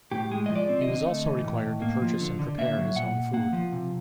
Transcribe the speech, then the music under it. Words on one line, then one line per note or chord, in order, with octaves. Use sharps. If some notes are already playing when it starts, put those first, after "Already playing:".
He was also required to purchase and prepare his own food.
A2 G4
G#3 G#4
D#5
F3
D5
C4
D#5
D3
A3
E3
A2
A2
A#3
F3
D3
D3
A#3 E5
F#3
A#2 F#5
A#2
A#3 F#5
F3
C3